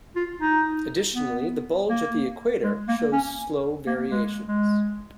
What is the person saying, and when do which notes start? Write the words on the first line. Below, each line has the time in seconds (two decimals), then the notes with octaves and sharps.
Additionally, the bulge at the equator shows slow variations.
0.16 F4
0.41 D#4
1.15 B3
1.90 A#3
2.64 G#3
2.88 A#3
3.13 C#4
3.87 A#3
4.11 G#3
4.48 G#3